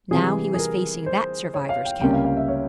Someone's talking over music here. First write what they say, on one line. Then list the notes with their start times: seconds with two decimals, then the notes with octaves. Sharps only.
Now he was facing that survivor's camp.
0.11 C3 E3 G3 G#4
0.54 G#4
0.59 A#4
1.06 C5
1.54 C#5
1.69 F5
1.85 G5
2.01 C#2 C3 G3 A#3 C#4 G5
2.13 F5
2.25 F5
2.37 E5
2.48 C#5